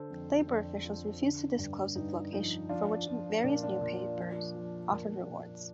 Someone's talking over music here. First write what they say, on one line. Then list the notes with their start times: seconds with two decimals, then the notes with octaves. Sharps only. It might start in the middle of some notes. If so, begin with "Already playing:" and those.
Labour officials refused to disclose its location, for which various newspapers offered rewards.
Already playing: D3 A4 C5
0.10 F2
0.47 F2 D4
0.85 F3
1.21 D3
1.59 G2
1.95 G2 D#4
2.32 F3 D#4
2.69 F3 D4 F4
3.07 F3
3.44 A#2 D4
3.63 D4
3.81 A#2
4.17 F3
4.55 F3
4.91 A#2
5.29 A#2